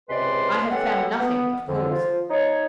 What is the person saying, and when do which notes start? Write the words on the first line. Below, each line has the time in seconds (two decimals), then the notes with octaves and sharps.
I have found nothing, of course.
0.09 C#2 C3 G#3 B4 D5 C6
0.70 B3 C#4 G4 A4 F#5
1.19 B3
1.67 F2 D3
1.90 F3 F4
2.29 D#4 C#5